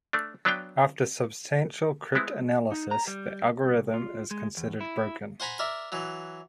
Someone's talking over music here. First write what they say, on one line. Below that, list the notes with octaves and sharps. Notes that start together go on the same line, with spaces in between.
After substantial cryptanalysis, the algorithm is considered broken.
A3 D4
F#3 B3 D4 B4 F5 G5
G#3 B3 C4 E4
D#4
A#5
G3
C2
F4
G#3
E2
E4
C5 F#5 G#5 A#5 B5
A#4 D5 E5
E3 F#3